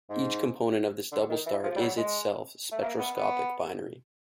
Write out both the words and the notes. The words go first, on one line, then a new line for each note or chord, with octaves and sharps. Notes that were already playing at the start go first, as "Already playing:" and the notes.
Each component of this double star is itself a spectroscopic binary.
G#2
D3
D#3
E3
F3
G3
F#3
G#3
A3
A#3
B3
B3